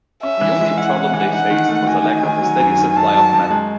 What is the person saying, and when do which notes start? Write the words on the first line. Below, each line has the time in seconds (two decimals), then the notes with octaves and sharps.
The only problem they faced was a lack of a steady supply of metal.
0.23 C#4 E5
0.41 E3
0.60 G#3
0.77 E4 F#5
0.96 C#4
1.14 E3
1.32 D#4 F#5
1.51 D#3
1.69 A3
1.87 F#4 G#5
2.04 D#4
2.23 D#3
2.41 F#3
2.60 F#2
2.78 D#3
2.96 F#2 A5
3.14 F#3
3.33 F#2
3.50 G#3